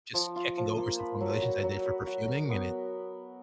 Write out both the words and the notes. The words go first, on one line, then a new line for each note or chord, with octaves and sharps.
just checking over some formulations I did for perfuming and it
F3
F4
F3
A#3
B4
F#3
F#4
F#3
B4
F#4
A#4
B3